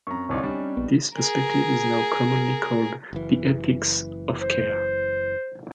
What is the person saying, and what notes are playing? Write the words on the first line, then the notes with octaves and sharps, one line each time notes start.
This perspective is now commonly called the ethics of care.
F#2 C4 A#5 C#6
D1 C2 C#4 D#4
G3 D4 D#4
A#1 B3
G#4 A#4
F#1 E3
C5